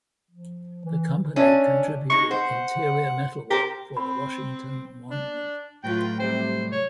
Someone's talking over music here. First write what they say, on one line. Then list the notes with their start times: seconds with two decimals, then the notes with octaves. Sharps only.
The company contributed interior metalwork for the Washington Monument.
0.31 F3
0.85 E3
1.36 C#4 D4 C#5 E5 A5
2.10 G#3 D#4 C#6
2.31 C5 F#5
3.51 G4 A#4 C5
3.97 C4 B5
5.10 D4
5.84 A2 F#3 A3 F4 B4 G5
6.19 C3 G3 C5
6.72 C#5